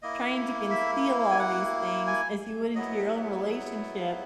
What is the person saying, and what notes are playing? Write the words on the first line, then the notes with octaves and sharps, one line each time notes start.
trying to conceal all these things as you would into your own relationship,
A#3 E4 D#5
E5
G#5
F#5
G#5
F#3 B3 E4 D#5